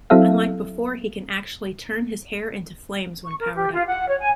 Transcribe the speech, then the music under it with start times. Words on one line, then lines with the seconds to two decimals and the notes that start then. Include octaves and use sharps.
Unlike before, he can actually turn his hair into flames when powered up.
0.10 F#3 C4 E4 A4 E5 F5
3.25 C#6
3.40 A#4
3.56 G4
3.74 F4
3.88 F#5
4.08 C#5
4.20 G#5